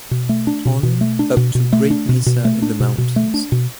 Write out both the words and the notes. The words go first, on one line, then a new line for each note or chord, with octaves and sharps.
On up to a great mesa in the mountains.
B2
A3
D4
B2
B2
A3
D4
B2
B2
A3
D4
B2
B2
A3
D4
B2
B2
A3
D4
B2